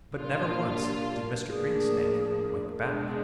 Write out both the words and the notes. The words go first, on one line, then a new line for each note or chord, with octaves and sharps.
But never once did Mr. Greensnake wink back.
A#2 F#3 A#3 D4 F4 G4
A2 F3 A#3 D4 G#4
B2 G#3 B3 D4 A4